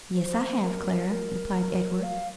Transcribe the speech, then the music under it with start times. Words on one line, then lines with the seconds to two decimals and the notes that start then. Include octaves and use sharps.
"Yes I have, Clara," replied Edward.
0.16 C5
0.62 A#4
1.10 A#4
2.03 F5